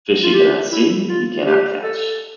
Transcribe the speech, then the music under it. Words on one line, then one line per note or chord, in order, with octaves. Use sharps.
Fish you cannot see, you cannot catch.
F4
G4
E4
F4
G4
A4